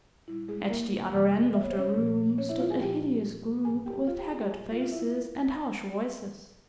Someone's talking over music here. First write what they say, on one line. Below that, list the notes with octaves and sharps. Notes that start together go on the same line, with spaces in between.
At the other end of the room stood a hideous group with haggard faces and harsh voices.
A#2 G3 E4
G#3 G#4
A#3 A#4
F2 C3 E3
E5
C#5
C5
C#4 C#5
A#2 F3
C#4 C#5
E4 E5
F4 F5
G#4 G#5
A#2 F3 G4 G5
G#2 E3 G3 G#4 G#5
G4 G5
F4 F5
G4 G5
G#4 G#5
G4 G5
A#2 G3 G#4 G#5
F4 F5
F4 F5
E4 E5